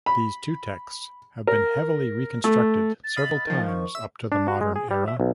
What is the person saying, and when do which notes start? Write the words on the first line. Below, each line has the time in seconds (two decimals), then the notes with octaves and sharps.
These two texts have been heavily reconstructed several times up to the modern era.
0.06 B5
1.47 A#4
2.44 A3
3.04 A6
3.16 D#5 F5 B5
3.47 D#3 F3
3.68 C#6
3.95 E5 E6 E7
4.32 D4
4.48 F#4
4.61 G#3
4.76 G#4
4.91 G3
5.08 E5
5.20 B1